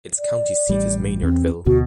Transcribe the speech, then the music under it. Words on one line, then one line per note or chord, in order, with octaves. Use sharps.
Its county seat is Maynardville.
D5
A1 G3
E2 C4
D2 B2 F#4